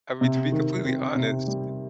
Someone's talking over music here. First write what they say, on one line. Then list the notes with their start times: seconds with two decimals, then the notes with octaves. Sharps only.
I mean, to be completely honest
0.21 C3
0.52 D#3
0.84 C4
1.15 C3
1.47 G3